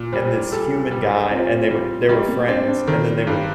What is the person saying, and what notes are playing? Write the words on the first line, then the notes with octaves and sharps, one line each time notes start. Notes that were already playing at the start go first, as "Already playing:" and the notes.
and this human guy, and they were they were friends, and then they would
Already playing: A#2
G3 C5
G3 A4
G3
D#4
C4 F4
G3
G3 D#4
A#3
C4 D4
D4
D#3 A4
G2